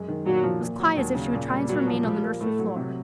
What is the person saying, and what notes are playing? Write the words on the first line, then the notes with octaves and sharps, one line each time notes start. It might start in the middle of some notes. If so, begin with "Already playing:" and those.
It was quite as if she were trying to remain on the nursery floor.
Already playing: F#2 G#3
D#3
A#2 F#3
F3
A#2
F#3
D#2
C#3
A#2
G3
A#2 F#3
F3
F3 G3
A#3
A2 A3
F#3
C3